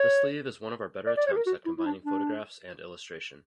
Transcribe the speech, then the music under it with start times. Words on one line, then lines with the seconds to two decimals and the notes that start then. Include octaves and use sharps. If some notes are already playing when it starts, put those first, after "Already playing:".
The sleeve is one of our better attempts at combining photographs and illustration.
Already playing: C#5
1.07 D5
1.17 D5
1.27 C#5
1.32 G4
1.36 A#4
1.46 F#4
1.66 E4
1.78 E4
1.86 D4
2.05 D4